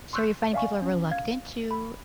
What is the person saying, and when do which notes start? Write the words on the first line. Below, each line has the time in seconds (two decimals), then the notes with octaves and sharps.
So, you're finding people are reluctant to
0.13 C6 C#6 E6 F#6 G6
0.53 D5 E5 F5 G#5 C#6
0.82 C#4
1.11 F5 G#6
1.71 B5